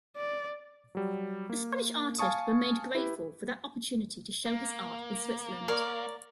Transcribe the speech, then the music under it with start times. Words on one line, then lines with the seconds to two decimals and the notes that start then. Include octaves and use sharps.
The Spanish artist remained grateful for that opportunity to show his art in Switzerland.
0.16 D5
0.95 F#3 G3
1.49 A#3
2.19 F5 G#5 A5 C#6 D#6
2.95 E4 G4 B4
4.46 A#3
5.68 A#4 C#5 D5